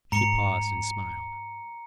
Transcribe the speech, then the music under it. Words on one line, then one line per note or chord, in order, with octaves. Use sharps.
She paused and smiled.
G#2 A#5 C#7